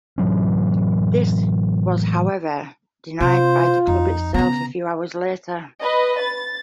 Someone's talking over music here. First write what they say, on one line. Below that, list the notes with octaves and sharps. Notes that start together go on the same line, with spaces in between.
This was however denied by the club itself a few hours later.
A2 E3 F#3 C#4
C3 F4 C5
F2 D#4
C#3 B3 A#5
B4 D#5
A6